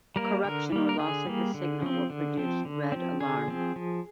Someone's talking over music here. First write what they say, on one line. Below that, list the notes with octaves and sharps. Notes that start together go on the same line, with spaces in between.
Corruption or loss of the signal will produce "red alarm".
G3 A#3 A#4
D3 A#4
G3 A#3
A#4
D3 G#4
G3 A#3
D3
F3 C4
D3
F3 C4
D3
F3 C4
D3 G#4
F3 C4
F3